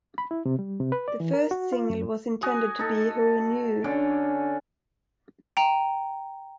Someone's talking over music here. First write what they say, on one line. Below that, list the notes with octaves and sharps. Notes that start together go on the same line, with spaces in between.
The first single was intended to be Who Knew.
B5
E4
C3
G3
C3
B4
D5
E3
A#4
F#4
F4
F#2
F#4 G#5 D#6
D#4 A4
D3 C#4 D4
G5 A#5